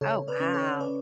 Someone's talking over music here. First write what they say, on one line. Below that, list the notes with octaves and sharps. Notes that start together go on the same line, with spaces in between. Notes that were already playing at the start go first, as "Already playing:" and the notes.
Oh, wow.
C#3 A4 C#5
B4 D5
C#4
A4 C#5
C#4 B4 D5